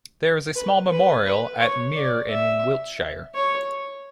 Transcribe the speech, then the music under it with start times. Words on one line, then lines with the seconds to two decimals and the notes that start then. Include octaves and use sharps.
There is a small memorial at Mere in Wiltshire.
0.55 B4
0.91 B4
1.26 B4
1.61 C#5
1.95 D5
2.30 E5
3.35 C#5